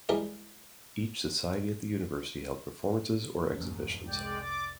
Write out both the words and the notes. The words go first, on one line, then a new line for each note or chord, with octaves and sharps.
Each society at the university held performances or exhibitions.
E3 G3 G#3 A#4
F1 D#2 G#2 C#4
C2 G#3 D5 G5
D5 D6